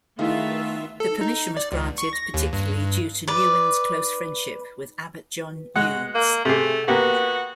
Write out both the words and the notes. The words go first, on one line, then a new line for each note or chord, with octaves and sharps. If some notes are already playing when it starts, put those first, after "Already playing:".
The permission was granted particularly due to Nouwen's close friendship with Abbot John Eudes.
D#3 A3 B3 E4 F4 G#4 E5 F5
A4
D#4
D5
C#2
C#6
A#6
D#2
G2
B4 D5
G#3 F#4 F#5
A#3
C3 A3 G#4
A#3 B3 F#4 G4